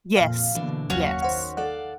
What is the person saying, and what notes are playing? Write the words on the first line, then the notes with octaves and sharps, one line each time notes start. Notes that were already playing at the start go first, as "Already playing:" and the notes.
Yes, yes.
F2 A#2 F5
B2 D3 E3 A#3 D4
F#1 D#2 F#3 C#4 F#4 C#5 F5
D#3 C5 F#5
A4 D5 F5 F#5